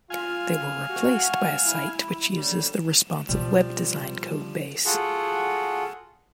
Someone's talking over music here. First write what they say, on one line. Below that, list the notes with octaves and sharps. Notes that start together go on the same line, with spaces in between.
They were replaced by a site which uses the Responsive Web Design codebase.
F4 F5 G#5
F#4
E4
A2 D3 G3
B2 F3 G3 E4
F4 F#4 G#4 A4 F#5